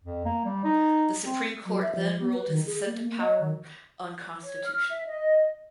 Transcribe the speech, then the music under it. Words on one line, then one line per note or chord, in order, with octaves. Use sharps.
The Supreme Court then ruled his ascent to power unconstitutional.
F2
A#3
G3
D#4
C4
F#3
E5
F3
B3
B4
D#3
G#4
A#3
A#3
D#5
D#3
C#5
F6
E5
D#5